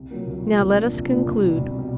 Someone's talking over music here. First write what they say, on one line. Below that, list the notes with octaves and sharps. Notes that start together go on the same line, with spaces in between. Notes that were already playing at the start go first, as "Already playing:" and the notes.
Now let us conclude.
Already playing: C2
A#2 F#3 A#3
C2
A#2 F#3 A#3
C2
A#2 F3 A#3 D4
C2
A#2 F3 A#3 D4
C2
B2 G3
C2
B2 G3